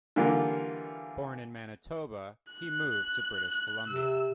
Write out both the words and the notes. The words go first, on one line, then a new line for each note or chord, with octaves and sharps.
Born in Manitoba, he moved to British Columbia.
D3 E3 G3 A#3 F4
F#6
C3 E6